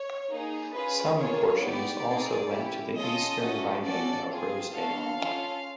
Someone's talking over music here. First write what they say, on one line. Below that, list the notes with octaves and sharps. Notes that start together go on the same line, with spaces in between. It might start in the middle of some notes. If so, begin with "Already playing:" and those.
Some portions also went to the eastern riding of Rosedale.
Already playing: C#5
A#3 D#4 G#4
C#4 F4 G#4 B4
A#3 D4 F4 G#4 C#5
B3 D#4 G4 D5
C4 D#4 G#4
C#4 E4 G4
C#4 F4 A4 D#5
A3 C#4 F#4 A4
C#4 F#4 A4 D5
C4 F4 G#4
D4 F#4 A4 F5
C#4 F4 A4